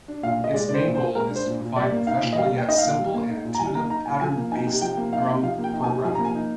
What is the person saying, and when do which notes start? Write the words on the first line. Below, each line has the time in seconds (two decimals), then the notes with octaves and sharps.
Its main goal is to provide professional yet simple and intuitive pattern-based drum programming.
0.08 D4
0.23 A#2 F5
0.39 A#2 D#5
0.54 G#3 D5
0.69 D4 D5
0.74 C5
0.85 A#2
0.95 C5
1.00 A#2
1.15 G#3 A#4
1.30 D4
1.36 C5
1.46 A#2
1.61 A#2
1.76 G3 D5
1.92 A#3
2.07 D#4 F5
2.22 A#2
2.33 D#5
2.38 G3 F5
2.52 A#3
2.58 G5
2.68 D#4 D#5
2.78 F5
2.84 A#2
2.99 G3
3.14 A#3
3.29 D#4
3.44 A#2
3.54 A#5
3.59 G3 G#5
3.75 A#3 A#5
3.90 D#4 A#5
4.06 A#2 G#5
4.21 F3 G#5
4.36 A#3
4.52 D#4 G#5
4.67 C3
4.82 F3 G5
4.97 A#3
5.13 D#4 F5
5.28 C3
5.43 F3 F5
5.58 A#3
5.64 G5
5.74 D#4
5.84 G#5
5.89 C3
6.04 F3 G#5
6.15 A#3 A#5
6.25 G#5
6.35 D#4